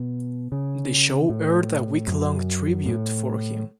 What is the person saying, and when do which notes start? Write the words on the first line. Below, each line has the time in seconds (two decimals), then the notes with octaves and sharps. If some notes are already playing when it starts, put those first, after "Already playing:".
The show aired a week-long tribute for him.
Already playing: B2
0.52 C#3
1.30 A2
2.07 F#2
2.86 A2